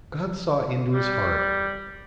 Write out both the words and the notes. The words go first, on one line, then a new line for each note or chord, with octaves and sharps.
God saw into his heart.
G3